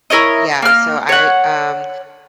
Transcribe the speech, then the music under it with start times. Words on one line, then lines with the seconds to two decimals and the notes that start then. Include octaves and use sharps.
yeah, so I, um,
0.10 E4 A#4 C#5 D#5
0.62 A#3 F6
1.09 C#5 F#5